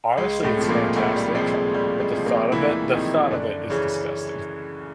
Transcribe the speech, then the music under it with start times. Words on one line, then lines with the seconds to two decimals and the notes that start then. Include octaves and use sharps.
honestly, it's fantastic, but the thought of it the thought of it is disgusting.
0.17 C#2 G#3
0.44 A2 A3
0.57 C3 F3
0.69 A#2 A#3
0.96 C#2 A2 A3
1.16 G3
1.35 C3 F3 G#3
1.54 G#3
1.74 C#2 G3
2.00 G#3
2.14 C3 F3
2.26 A#2 A#3
2.52 C#2 E3 E4
2.92 C3 D#3 F3 D#4
3.31 F#2 D3 D4
3.70 C#3 E3 C#4